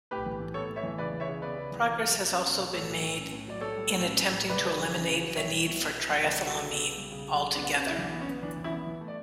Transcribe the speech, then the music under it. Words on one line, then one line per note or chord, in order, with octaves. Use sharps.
Progress has also been made in attempting to eliminate the need for triethylamine altogether.
A2 G4 B4
E3
A2
B3 A4 C#5
A2
C#5 E5
E3
C#3 B4 D5
E3
C#5 E5
C#3
B3 B4 D5
C#3
E3
B2
F#3
B2
C#4
B2
F#3
A2 A4 C#5
F#3
A2
C#4
A2
F#3 D5
A2 A4 C#5
G3
A2
C#4
A2
G3
C#3 B4 D5
F#3
C#3
C#4
C#3
F#3
B2 C#5 E5
G3
B2
B3
B2
G3
C#3 B4 D5
G3
F#4 A4
C#3
B3
C#3
G3
C#3
F#3
C#3
B3 D4
C#3
C#4
F#3 E4
E3 D4
B3
C#4
B3
E3 D4
E3
C#4 E4
B3
E3
A3
D5